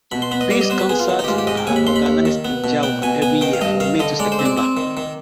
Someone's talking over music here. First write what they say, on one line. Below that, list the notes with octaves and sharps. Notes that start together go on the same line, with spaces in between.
Peace Concerts are organised in Jawor every year from May to September.
B2 B5
C6
B3 B5
D#5
G3 D5
D#5
B3 C5
B4
B3 G#4
F4
D#3
D#4
G4
G#2 F4
G4
G#2 D#5
G5
D#2 G#5
B5
D#2 C6
B5
D#2
D#3
B3
B2
B3 G5
B2 G#5
B3 G#5
D#3 G5
F5
G2 D#5
D#3 F5
D3 D#5
G#3 D5
C5
C4
D5
C4
D#3
D#3